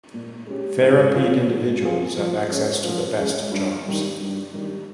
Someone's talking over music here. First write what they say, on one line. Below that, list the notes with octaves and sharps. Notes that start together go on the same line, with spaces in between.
Therapied individuals have access to the best jobs.
A#2
G#3 C#4 G4
G#2
F3 C4 F4 G#4
G#2
F3 C4 F4 G#4
F3
G#3 C#4
F3
G#3 C#4
G2
D#3 G3
G2
D#3 G3